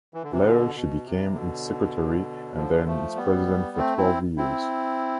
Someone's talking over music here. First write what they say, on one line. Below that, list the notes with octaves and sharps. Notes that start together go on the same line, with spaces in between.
Later she became its secretary, and then its president for twelve years.
E3
D3
C3 E3
B2 D3
B2
C3
B2 D3
D3 F3
F3 A3
G3 B3
A3 C4
C4 E4
C4 E4